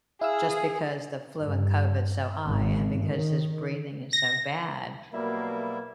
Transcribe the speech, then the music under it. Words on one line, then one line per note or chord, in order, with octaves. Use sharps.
just because the flu and COVID's so high and because his breathing is so bad,
E4 G#4 F5 E6
G2
G#1
D#3
A#6
B2 F#3 G3 A#3 E4 E5